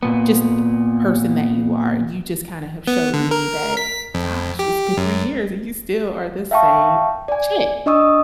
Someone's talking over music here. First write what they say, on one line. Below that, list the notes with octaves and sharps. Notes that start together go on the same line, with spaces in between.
just the person that you are, you just kinda have showed me that, "Gosh, it's been three years, and you still are the same chick."
A#2 B3
B3
D3
A#4
B6
F2
G4
F#2
E5 F5 G5 A5 C#6
D5 G#5
D4 D#5 C#6 D#6 E6